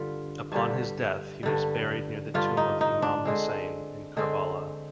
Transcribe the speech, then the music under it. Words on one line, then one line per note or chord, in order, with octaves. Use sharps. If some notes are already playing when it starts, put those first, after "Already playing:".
Upon his death he was buried near the tomb of Imam Husayn in Karbala.
Already playing: G2 D3 G3 F4
G2 D3 G3
G2 D3 G3
G2 D3 G3 F4
D#4
D#4
D4
D3 G#3 C4
D3 G#3 C4